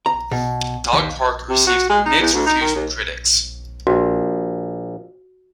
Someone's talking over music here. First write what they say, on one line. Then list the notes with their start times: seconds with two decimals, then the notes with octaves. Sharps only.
Dog Park received mixed reviews from critics.
0.06 A#5
0.31 B2
0.93 D#2
1.49 C3
1.67 F#4
1.90 G#3
2.06 D#4
2.20 E2
2.33 D2
2.46 D#4
2.61 D#3
2.75 D#2
3.87 A#1 F#4